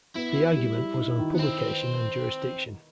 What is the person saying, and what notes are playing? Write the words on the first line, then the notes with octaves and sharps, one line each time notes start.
The argument was on publication and jurisdiction.
B3 E4
F#4
G3
G3
D#4
D#3
B3
C4 E4
B4